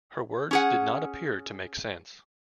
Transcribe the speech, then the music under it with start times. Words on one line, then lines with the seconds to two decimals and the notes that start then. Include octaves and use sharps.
Her words did not appear to make sense.
0.51 C#4 G#4 F#5